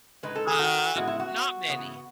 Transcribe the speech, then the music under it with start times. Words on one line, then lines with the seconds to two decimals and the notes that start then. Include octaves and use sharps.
Ah, not many.
0.23 A2 G#3 D#4 B4
0.35 A4
0.47 G#4
0.59 F#4
0.96 A2 G#3 B3 E4 F#4
1.07 E4
1.20 F#4
1.68 C#3 E3 B3